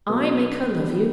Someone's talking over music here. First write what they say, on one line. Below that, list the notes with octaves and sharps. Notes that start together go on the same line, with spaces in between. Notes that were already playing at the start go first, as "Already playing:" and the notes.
'I make her love you?
B2 F#3 B3
E3 G3 B3 D4